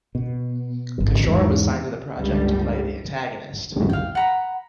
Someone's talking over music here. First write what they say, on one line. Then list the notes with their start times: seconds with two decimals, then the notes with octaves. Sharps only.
Kishore was signed to the project to play the antagonist.
0.15 B2
1.00 G#1
1.27 E2 G#2
2.16 G1 C#2 A2 D3 G3
3.89 F5 G5
4.15 F#5 A#5 B5